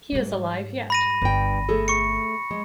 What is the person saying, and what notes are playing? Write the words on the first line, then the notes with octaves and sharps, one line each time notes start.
He is alive yet.
G#2 G3
B5 A#6 D#7
G1 G2 D4 G5
A3 G#4 A4
C#6 C#7
G#3